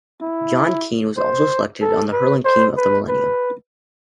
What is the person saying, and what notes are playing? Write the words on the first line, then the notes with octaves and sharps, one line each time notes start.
John Keane was also selected on the hurling team of the millennium.
E4
C5
A4
B4
C5
B4
B4